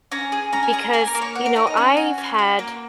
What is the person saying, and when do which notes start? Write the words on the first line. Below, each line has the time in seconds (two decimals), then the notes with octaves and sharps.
because, you know, I've had
0.12 C#4 A#5
0.32 G#4
0.53 C#4 A#5
0.63 G#5
0.73 G#4 A#5
0.93 A#3 G#5
1.07 A#4
1.15 A#3
1.22 C#5
1.35 F#4 C#5
1.46 A#4
1.56 D#4 C#5
1.67 D#5
1.77 C#4 C#5
1.97 F#4
2.18 C#4
2.39 F#4
2.59 A#3